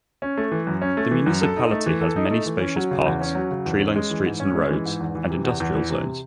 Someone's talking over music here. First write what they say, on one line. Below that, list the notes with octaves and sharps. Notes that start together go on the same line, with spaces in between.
The municipality has many spacious parks, tree-lined streets and roads, and industrial zones.
C#4
A3
E3
F#2
C#4
A3
E3
F#2
A4
D#4
A3
E3
A4
D#4
A3
E3
C#4
F#3
C#3
E2
C#4
F#3
C#3
E2
C#4
G#3
E3
G#2
C#4
G#3
E3
G#2
E2
E3
C3
E2
E2
E3
C3